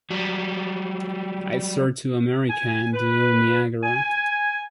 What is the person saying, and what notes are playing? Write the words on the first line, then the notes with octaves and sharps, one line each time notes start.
I'd start to America, and do Niagara.
F#3 G3
G#5
B4
G#5